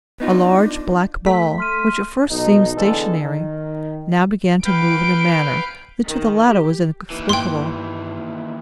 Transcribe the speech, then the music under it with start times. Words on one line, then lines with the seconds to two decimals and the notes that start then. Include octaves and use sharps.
A large black ball, which at first seemed stationary, now began to move in a manner that to the latter was inexplicable.
0.20 B3 D4 D#4 F4
1.26 A3 B6
1.58 C6 F6 D#7
2.30 B1 D#4
2.76 E2 D3 G#3 A4
3.20 D#3
4.64 B4 F5 G5 D7
6.06 D#3
6.48 G4
7.10 D#2 E3
7.29 G2 A#3 G5 C6